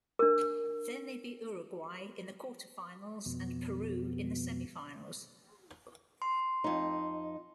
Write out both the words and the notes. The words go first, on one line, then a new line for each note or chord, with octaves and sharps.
Then they beat Uruguay in the quarterfinals and Peru in the semifinals.
D4 A#4
F2 B2
C6
F2 D#4